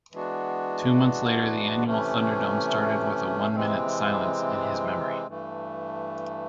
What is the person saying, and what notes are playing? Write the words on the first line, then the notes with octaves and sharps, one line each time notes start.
Two months later the annual Thunderdome started with a one-minute silence in his memory.
E3 G#3 B3 D4 F#4
C3 E3 A3 C#4
C3 E3 G#3 C4
G2 E3 A3